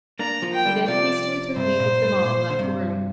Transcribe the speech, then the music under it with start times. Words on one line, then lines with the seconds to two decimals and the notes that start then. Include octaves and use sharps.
He then hastily took leave of them all and left the room.
0.19 A#3 D4 A#5
0.42 F3 A#3
0.53 G5
0.66 D3 G3
0.87 C3 F3 D5
1.56 G2 C3 C5
1.80 A#2
2.02 G2
2.25 A#2
2.50 D3
2.59 G2 C3